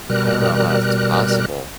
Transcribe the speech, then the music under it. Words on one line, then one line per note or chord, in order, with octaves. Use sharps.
I don't know how it's possible.
B2 G3 A#4 F#6